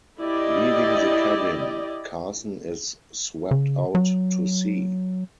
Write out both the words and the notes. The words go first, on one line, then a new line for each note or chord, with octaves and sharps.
Leaving the cabin, Carson is swept out to sea.
E4 G4 D5 D#5
C#3
F#3